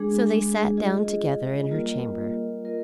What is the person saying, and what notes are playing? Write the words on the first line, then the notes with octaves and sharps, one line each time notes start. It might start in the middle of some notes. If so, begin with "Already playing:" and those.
So they sat down together in her chamber.
Already playing: G#3 D4 G#4
F4 G#4 D#5
G3 A#3 F4 A#4 D#5
F4 A#4 D#5